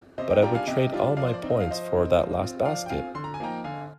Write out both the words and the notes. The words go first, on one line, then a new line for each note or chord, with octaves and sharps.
But I would trade all my points for that last basket.
C3 C5 D#5
D#5 G5
G3 D4 F4 G5 A#5
F5 G#5
C3 D#5 G5
G3 D4 F4
F3 D5 F5
C5
D5
C4 D#4
D#5
F5
F3 C5 D#5
C4 D#4
F3
C4 F4
F3 D5 F5
G5
C4 F4 F5 G#5
D3 C6
A#5
G#5
F3 A#3 D#4 G5 A#5
D3 F5 G#5